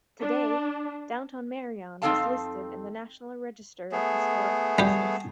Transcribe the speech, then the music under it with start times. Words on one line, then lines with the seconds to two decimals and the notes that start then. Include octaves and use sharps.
Today, downtown Marion is listed in the National Register of Historic Places.
0.22 D4
2.02 F2 C4 D#4 A4 F5 A5
3.92 A3 B3 G#4
4.79 G3 G4